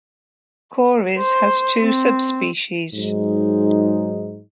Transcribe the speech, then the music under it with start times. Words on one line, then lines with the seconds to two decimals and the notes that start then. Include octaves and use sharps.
Cory's has two subspecies.
1.18 C5
1.81 C4
2.95 G#2 F#3 G#3 D#4